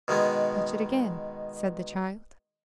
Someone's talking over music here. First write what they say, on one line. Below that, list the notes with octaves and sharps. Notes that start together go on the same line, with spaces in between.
"Touch it again," said the child.
B2 D#3 G#3 B3